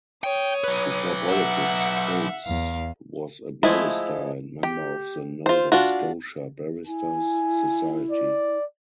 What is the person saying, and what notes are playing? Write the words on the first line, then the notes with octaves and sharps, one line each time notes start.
Before politics, Coates was a barrister and member of the Nova Scotia Barristers' Society.
C#5 G5 D#6
F#3 B4
E5 F#5
E2 F5
F3 G#3 A3 E4
G4
F4 C5
D4 F4 F#4
E4 G#5
D5